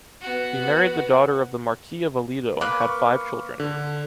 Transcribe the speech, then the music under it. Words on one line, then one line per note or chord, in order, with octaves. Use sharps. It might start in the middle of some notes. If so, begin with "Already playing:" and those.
He married the daughter of the Marquis of Aledo and had five children.
B3 F#4
A#3 B4 F#6
C#6
D3